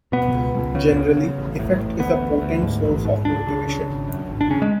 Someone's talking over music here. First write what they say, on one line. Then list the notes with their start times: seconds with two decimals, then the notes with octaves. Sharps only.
Generally, affect is a potent source of motivation.
0.12 B2 B3
0.34 C#2
0.55 C#2
0.75 C#3
0.97 C#3
1.17 C#3
1.38 A1
1.59 A2
1.80 A1
2.00 D2 B3
2.21 D2
2.42 D2
2.63 G#2
2.84 A1
3.05 G#2
3.25 C#2 D4
3.47 C#3
3.67 C#3
3.89 G#1
4.09 F#2
4.30 G#1
4.41 D4
4.50 C#3 C#4
4.62 G#3